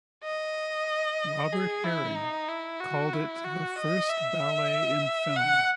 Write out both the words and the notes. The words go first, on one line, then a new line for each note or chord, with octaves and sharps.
Robert Herring called it "the first ballet in film".
D#5
G#4
E4
D#4
E4
F#4
E4
F#4
D#5
E5
F#5